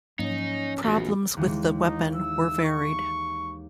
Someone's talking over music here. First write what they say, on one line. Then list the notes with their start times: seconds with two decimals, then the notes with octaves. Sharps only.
Problems with the weapon were varied.
0.19 G#2 F3 F#3 A#3 C#4 D#4 C#5
0.84 A#1 E2 F#4
1.37 D#2 E3 G#3
1.79 D#4
2.15 E6
2.64 C#6